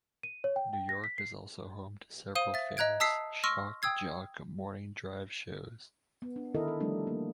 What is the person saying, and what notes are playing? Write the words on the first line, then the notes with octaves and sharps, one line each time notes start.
New York is also home to several famous "shock jock" morning drive shows.
D#7
C#5
G5
G5
A#6
B6
C7
C5 F5 D#6 D#7 G7
E5 A6
D#5 A#5 F#6 G#6 D7
A5 D#6 E6 B6 C7
C6 C#6 E6 F6 A#6
G5 D#6 E6 G#6 C7
B3
D4
D3 D#3 E4 A4 A#4 D#5
A4
D3 F3 G3 A3 D4 E4
A#3